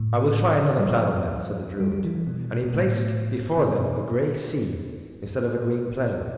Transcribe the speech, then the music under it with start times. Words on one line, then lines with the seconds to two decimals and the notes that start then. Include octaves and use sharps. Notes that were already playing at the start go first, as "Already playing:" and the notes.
"I will try another plan on them," said the druid; and he placed before them a grey sea instead of a green plain.
Already playing: A2
0.78 G3
0.86 F3
1.80 G3
1.92 G3
2.05 E3
2.15 E3
2.27 B2
2.64 B2
2.74 A2
3.58 C3
3.69 B2